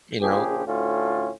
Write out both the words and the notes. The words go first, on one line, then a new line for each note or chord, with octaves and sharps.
you know?
A#1 C#3 F3 G4 G#4
D2 A2 C#4 F4